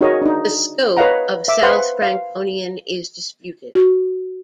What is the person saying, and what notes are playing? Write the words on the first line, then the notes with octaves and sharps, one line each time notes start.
The scope of South Franconian is disputed.
D#4 F#4 G#4 A#4 C#5 D#5
D4 D#4
B4 C#5 D#5 F5 F#5 A#5
E5 D6
B4 C5 F5 F#5 C6
F5
F#4